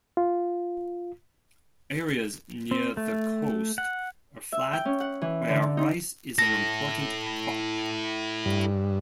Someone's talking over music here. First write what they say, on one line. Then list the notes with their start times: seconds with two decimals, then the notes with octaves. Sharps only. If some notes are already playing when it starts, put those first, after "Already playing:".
Areas near the coast are flat where rice is an important crop.
0.17 F4
2.71 C4
2.97 A3
3.78 F#5
4.52 E5
4.73 G5
4.85 C#4
5.00 F#5
5.21 E3
5.49 D3
5.77 D#4
6.38 E4 A4 A#6
8.46 G2